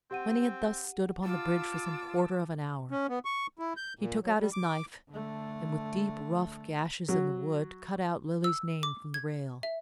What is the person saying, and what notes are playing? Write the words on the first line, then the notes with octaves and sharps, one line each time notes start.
When he had thus stood upon the bridge for some quarter of an hour, he took out his knife, and, with deep, rough gashes in the wood, cut out Lily's name from the rail.
C4 G4 F#5 D#7
F4 A5 D6 E6
C#4
B3
C#6
E4
G6
A#2
F#3
G3
D6
D3 A3
F#3
E6
D6
G#6
E5